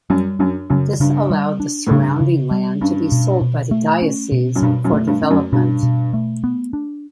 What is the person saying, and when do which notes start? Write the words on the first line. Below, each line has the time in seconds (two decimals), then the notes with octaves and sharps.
This allowed the surrounding land to be sold by the Diocese for development.
0.10 F#2 G3
0.39 F#2 D4
0.70 F#2 C#3
1.00 G2 C#3
1.30 G3
1.60 D4
1.87 A2
1.91 G2 C#3
2.21 C#3
2.51 G3
2.81 G2 C#4
3.12 B2
3.41 B2
3.71 A3
4.02 C#4
4.32 B2
4.56 F#2
4.62 G2 B2
4.84 F#2
4.93 A3
5.07 G2
5.23 C#4
5.30 F#2
5.52 G2 B2
5.83 B2
6.13 A3
6.44 B3
6.73 D4